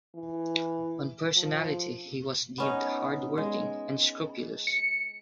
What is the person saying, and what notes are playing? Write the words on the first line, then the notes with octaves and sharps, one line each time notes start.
On personality he was deemed hardworking and scrupulous.
E3
F3
B3 C#4 D#4
G#3
C#7